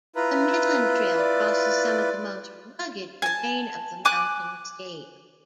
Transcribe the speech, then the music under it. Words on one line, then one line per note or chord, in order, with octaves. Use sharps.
The Midland Trail crosses some of the most rugged terrain of the Mountain State.
E4 F4 B4 A#5
D5
G#5 A5
G#5 D6 F#6